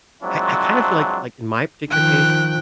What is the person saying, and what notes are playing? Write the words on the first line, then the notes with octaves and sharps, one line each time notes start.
I I kind of feel like like, in my particular case,
F3 F#3 G#3 C4 D4 E4
D#3 F3 G5 F#6